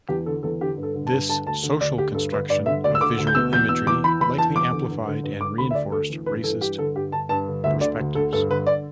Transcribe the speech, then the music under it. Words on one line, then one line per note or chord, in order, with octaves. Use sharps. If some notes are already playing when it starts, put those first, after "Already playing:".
This social construction of visual imagery likely amplified and reinforced racist perspectives.
E2 G4
D3 A4
E2 A4
D3 G4
G2
A4
D3
A5
G2
D3 A5
D2 A5
D3
D2 D5
D3 G4
G2 A4
D3 B4
G2 D5
D3 E5
D2 D5
E6
D3 D6
D2
G6
B2 E6
E2 G6
B2 E6
E2 D6
E3 B5
E2 B5
E3 A5
E2 D6
D3
G2
D3
G2
D3 D6
D2 B5
E5
D3 D5
D2 A4
E3
G2 B4
E3 A4
G2 G4
D3 A4
G2 G4
D3 A5
G2 A5
D3
D2 E5
D3 D5
D2
D3 A4
G2 A4
D3 B4
D5